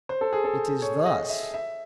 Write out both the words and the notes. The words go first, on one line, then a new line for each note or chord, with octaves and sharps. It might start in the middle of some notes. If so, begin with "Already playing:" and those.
"It is thus."
C5
A4
G#4
A4
C#5
D#5
E5
E5